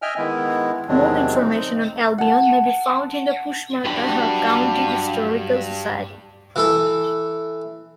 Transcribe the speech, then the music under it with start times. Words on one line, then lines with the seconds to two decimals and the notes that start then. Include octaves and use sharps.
More information on Albion may be found in the Pushmataha County Historical Society.
0.02 D#5 E5 G5 G#5 F6
0.18 D#3 G#3 B3 E4
0.88 E2 C3 D#3 F#3 G#3 D4
1.34 C4 D#4
2.18 F#5 A5
3.85 G2 F#3 D4 G4 B4 B5
6.56 E3 A4